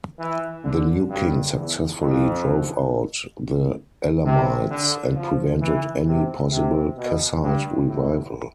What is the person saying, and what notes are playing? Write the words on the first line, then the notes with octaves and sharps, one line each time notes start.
The new king successfully drove out the Elamites and prevented any possible Kassite revival.
E3
D3
G2
E2
F2
C3
D3
F3
E3
C3
C3
B2
G2
A2